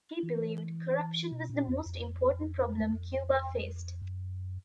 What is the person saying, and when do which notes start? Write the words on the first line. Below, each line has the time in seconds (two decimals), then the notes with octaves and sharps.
He believed corruption was the most important problem Cuba faced.
0.23 E3
1.31 B2
1.50 A#2
1.67 F2
1.86 F2
2.81 E2
2.93 F2
4.02 F#2